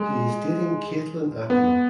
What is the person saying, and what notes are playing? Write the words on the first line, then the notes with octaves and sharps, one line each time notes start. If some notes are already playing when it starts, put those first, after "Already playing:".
He is dating Caitlin Akeman.
Already playing: G#3
B3